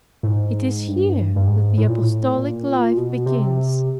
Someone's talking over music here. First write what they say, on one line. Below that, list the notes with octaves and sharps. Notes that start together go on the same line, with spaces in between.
It is here that the apostolic life begins.
A2
G#2
G2
G2
G#2
A2
A#2
A2
A#2
B2
C3